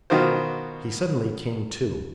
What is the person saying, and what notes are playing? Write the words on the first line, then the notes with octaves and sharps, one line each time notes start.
He suddenly came to.
B2 D#3 F4 F#4 C5